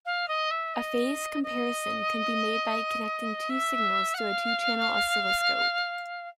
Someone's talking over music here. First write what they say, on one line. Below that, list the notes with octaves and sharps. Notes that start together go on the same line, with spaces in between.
A phase comparison can be made by connecting two signals to a two-channel oscilloscope.
F5
D#5
E5
D#5
D#5
E5
F#5
F5